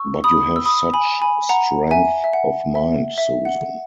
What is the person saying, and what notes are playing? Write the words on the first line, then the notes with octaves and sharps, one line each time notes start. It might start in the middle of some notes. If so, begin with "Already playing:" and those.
But you have such strength of mind, Susan.
Already playing: C#6 E6
B5 D#6
E6
B5 D#6
G#5 B5
G#5 B5
F#5 A#5
E5 G#5
E5
F#5
E5
E5
F#5